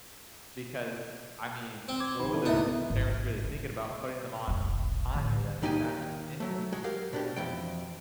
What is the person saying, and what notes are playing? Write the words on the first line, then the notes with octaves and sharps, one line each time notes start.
because, I mean, what were their parents really thinking about putting them on Kanye, I mean, that's interesting right there because,
C4
D6 G#6
A#1 D#3 B5
E3 A3 D4
C#2 G#2 B3 D#4 E4 E5
G#1
G3
F1 B1
A2 D3
D#2 D#3 D#4 G4 C#5 G#5
F#3 A3
G#3 F#4
G4 A#4 F5
B2 D4 G4
F2 E3 G5